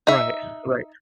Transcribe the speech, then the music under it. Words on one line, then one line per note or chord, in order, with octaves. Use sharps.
Right, right.
D#4 E5